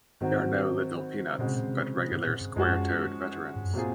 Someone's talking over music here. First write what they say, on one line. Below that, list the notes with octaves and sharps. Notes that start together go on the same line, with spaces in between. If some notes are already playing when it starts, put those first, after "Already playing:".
They are no little peanuts but regular square-toed veterans.
G#2 D#3 F#3 C4 F#4
A#2 C#3 G#3 C4 F#4
C3
A#2
C3
C3
G#2
A#2
G#2
F#2 F3 G#3 C#4 F#4
G#2
F#2
A#2 F#3 C4 F4 G#4